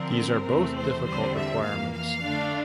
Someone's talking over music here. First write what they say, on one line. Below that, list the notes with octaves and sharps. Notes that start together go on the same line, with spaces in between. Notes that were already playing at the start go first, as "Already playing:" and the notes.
These are both difficult requirements.
Already playing: D3 F3 C4 A#4
E2 C3 E3 A3 C4
C5
E2 D3 G3 C4 C5
E5
F2 E3 A#3 F5
F5
D3 A3 D4